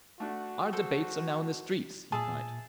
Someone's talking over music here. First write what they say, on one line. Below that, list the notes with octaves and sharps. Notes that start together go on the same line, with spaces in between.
"Our debates are now in the streets," he cried.
A3 D4 F#4 F#5
A4 C5
A#2 G#4 E5 A5